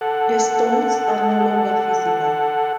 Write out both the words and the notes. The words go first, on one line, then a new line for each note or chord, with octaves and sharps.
The stones are no longer visible.
A4 F#5